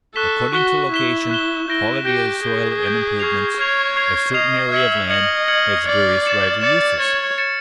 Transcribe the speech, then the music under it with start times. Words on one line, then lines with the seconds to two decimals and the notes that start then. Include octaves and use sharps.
According to location, quality of the soil, and improvements, a certain area of land has various rival uses.
0.15 A4 C#6 F#6 B6 E7 G7
0.53 F#4 C#6 F#6 B6 E7 G7
0.92 E4 C#6 F#6 B6 E7 G7
1.30 C#6 F#6 B6 E7 G7
1.68 E4 G6 A#6 D7 G7
2.05 G4 G6 A#6 D7 G7
2.44 G#4 G6 A#6 D7 G7
2.82 G6 A#6 D7 G7
3.19 C#6 F6 G#6 C7 F7
3.58 C#5 C#6 F6 G#6 C7 F7
3.96 C#6 F6 G#6 C7 F7
4.33 D#5 C#6 F6 G#6 C7 F7
4.72 E5 F6 G#6 C#7 F#7
5.10 D#5 F6 G#6 C#7 F#7
5.48 F6 G#6 C#7 F#7
5.86 D5 F6 G#6 C#7 F#7
6.24 A6 C#7 E7
6.61 D5 A6 C#7 E7
7.00 C#5 A6 C#7 E7
7.38 A6 C#7 E7